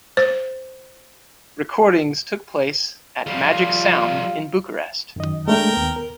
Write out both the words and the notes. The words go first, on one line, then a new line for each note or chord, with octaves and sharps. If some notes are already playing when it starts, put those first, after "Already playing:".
Recordings took place at "Magic Sound" in Bucharest.
C5
F3 G3 F4
F#2 D#3 D#5
G#3 A3 D4 A#4 G5
D#2 B3
A#4